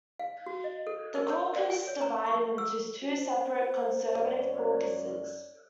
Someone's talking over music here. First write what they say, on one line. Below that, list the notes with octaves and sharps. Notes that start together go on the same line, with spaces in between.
The caucus divided into two separate Conservative caucuses.
F5
F#4
D#5
A4
A#4
C#5
D5
G#5
C#5
A#5
C#6
E6
C5
F#2 C#5 D5